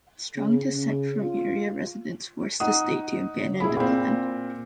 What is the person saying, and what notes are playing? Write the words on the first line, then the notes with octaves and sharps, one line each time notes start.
Strong dissent from area residents forced the state to abandon the plan.
C#3
C#3
F4
D#4 F#5 D#6
E4 G#4 B5
A#2 C4